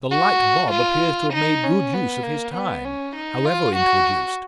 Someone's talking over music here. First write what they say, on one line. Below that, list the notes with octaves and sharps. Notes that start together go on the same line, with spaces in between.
The Light Bob appears to have made good use of his time-- however intwoduced.
F#4
F4
D#4
C#4
B3
A#3
B3
C#4
D#4
F4
F#4